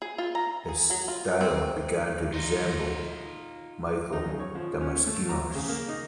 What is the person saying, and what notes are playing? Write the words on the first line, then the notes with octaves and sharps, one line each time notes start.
His style began to resemble Michael Damaskinos.
G#4
F4
A#5
G#4
F#3
F4
C4
D#4 F4
D#4
F#2
C#5
F3
C#4
A3
A#5
C#3
A#3
D#4